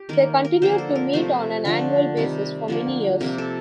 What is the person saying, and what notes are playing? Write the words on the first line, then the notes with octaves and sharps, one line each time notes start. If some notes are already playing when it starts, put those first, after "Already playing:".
They continued to meet on an annual basis for many years.
Already playing: G4
D#3 A#3 A#4
A#4
D3 F3 A#3 C5
A4
A#4
C3 F3 A3 C5
D3 F3 A3
C3 D#3 G3
D3 F3 A#3
C3 F3 A#3 A#4
A4